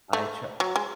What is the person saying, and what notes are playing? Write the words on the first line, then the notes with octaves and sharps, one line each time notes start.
I tr
A3
F#3
G#3